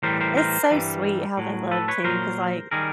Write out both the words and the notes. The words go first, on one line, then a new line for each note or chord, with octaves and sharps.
It's so sweet how they love too, 'cause, like,
A2 E3 G3 A#4 C5
A#4 C5
A#4 C5
G2 E3 G3
A2 F#3
A4 B4
B4 C#5
A#2 F#3 A#4 C5
D#3 G3 G#4 A#4